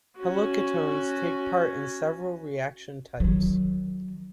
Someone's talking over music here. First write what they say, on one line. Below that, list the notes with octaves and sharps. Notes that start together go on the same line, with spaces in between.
Haloketones take part in several reaction types.
C#4 F#4
D#3 F#3